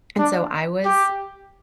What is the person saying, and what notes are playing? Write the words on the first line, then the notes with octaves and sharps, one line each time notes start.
and so I was,
D4
G4